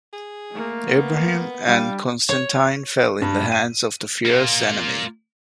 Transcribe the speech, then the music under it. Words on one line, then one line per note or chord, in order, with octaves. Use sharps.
Ibrahim and Constantine fell in the hands of the fierce enemy.
G#4
A3 A#3
B3
G3 D4 F5
C#5
G2
D#7
A#3 F4